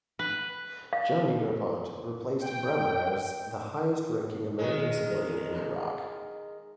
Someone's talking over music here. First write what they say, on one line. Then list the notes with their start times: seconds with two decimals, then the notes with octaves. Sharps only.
John Negroponte replaced Bremer as the highest-ranking American civilian in Iraq.
0.19 B4
0.93 F5
2.42 G5
4.59 D#3 G#3